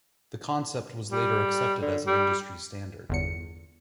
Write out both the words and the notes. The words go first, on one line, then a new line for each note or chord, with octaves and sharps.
The concept was later accepted as an industry standard.
G3
D3
G3
G1 E2 C#7